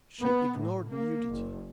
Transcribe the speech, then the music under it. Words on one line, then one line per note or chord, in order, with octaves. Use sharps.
She ignored nudity.
B3
A2
A#3
F#1